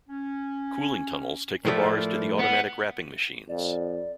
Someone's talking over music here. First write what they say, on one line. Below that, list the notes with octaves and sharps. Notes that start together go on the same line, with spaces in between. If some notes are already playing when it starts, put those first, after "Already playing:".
Cooling tunnels take the bars to the automatic wrapping machines.
C#4
A2 F3 A3 A#4 C5 D5
G3 B3
F2 D5